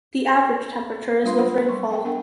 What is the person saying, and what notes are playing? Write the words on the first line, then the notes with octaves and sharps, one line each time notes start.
The average temperature is with rainfall.
G3 A3 D4 F4 F5 C6
F#3 F4 C5 F#5 B5
A#4
G3 C6 C#6
A#4 E5 G5 A5
B3 D4 A#4 F#5 G5